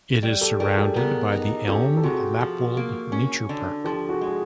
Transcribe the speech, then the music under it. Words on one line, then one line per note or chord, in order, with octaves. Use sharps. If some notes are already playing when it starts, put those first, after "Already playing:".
It is surrounded by the Elm-Lappwald Nature Park.
G3
G4 A4
G3 G#4 A#4
G4 A4
B3 G#4 A#4
D#4
C#4 G4 A4
A4
C3 F#4 G#4
F3
A#3
C#4
D3
F3 G4 A4
F#4 G#4
G#3 G#4